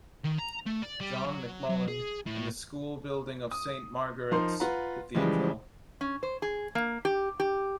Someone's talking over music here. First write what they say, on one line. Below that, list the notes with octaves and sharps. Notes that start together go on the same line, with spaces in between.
John McMullen, in the school building of Saint Margaret's Cathedral.
D#3
A#5
A3
D5
G3
F#3
F#3
G#4
A2
D#6
F3 D#4 A#4 C6
F4 B4 F#5 A#5
C#3 E3 F3 G3 G#3
C#4
C5
G#4
A#3
G4
G4